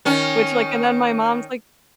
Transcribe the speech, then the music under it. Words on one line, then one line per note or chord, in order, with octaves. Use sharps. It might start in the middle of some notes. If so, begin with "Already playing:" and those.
Which, like, and then my mom's like
D#3 C#4